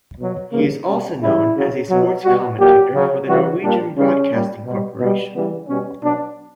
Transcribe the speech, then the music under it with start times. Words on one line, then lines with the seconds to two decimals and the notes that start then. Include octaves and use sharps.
He is also known as a sports commentator for the Norwegian Broadcasting Corporation.
0.19 B2 F#3
0.52 C#3 E3 G3 A#3
0.87 B2 G3 C#4
1.21 C#3 E3 G3 E4
1.56 C#3 F#3
1.90 B2 F#3
2.24 B2 G3 F#4
2.59 A#2 F#3 G4
2.93 C#3 F#3
3.27 C#3 E3 G3 F#4
3.63 A#2 G3 D4
3.97 C#3 G3 C#4
4.31 A#2 G3
4.66 B2 G3
5.00 B2 G3
5.34 C#3 E3 G3 B3
5.68 B2 G3 C#4
6.03 B2 F#3 D4